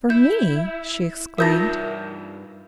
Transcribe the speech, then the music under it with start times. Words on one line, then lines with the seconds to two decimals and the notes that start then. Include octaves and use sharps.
"For me!" she exclaimed.
0.10 E4 G6
1.38 G2 D#4 F4 A#4 E5 D#6 G6 A#6